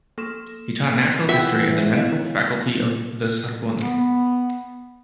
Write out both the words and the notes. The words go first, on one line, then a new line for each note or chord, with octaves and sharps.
He taught natural history at the Medical Faculty of the Sorbonne.
A#3 A4 C6 C#6 E7
E3 F4 E5 F#5 G5 F#6 G6
B3 E4 C#5 D#5 F5
B3